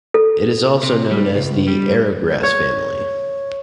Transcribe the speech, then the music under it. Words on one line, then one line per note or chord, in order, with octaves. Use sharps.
It is also known as the "arrowgrass" family.
A4
C3
G3
C#2
G3
C#5